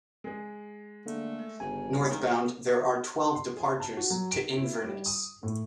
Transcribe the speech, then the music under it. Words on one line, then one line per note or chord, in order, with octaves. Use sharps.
Northbound there are twelve departures to Inverness.
G#3 G#4
D3 A3 A#3
G1 C#3 G#5
E1 D#3
C6
G#4
A5
F#4
F#3
D7
E4
G3
D#6
A2